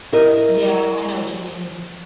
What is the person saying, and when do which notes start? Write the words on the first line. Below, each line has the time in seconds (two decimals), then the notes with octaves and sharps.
Yeah, I know what you mean,
0.12 E4 A#4 D#5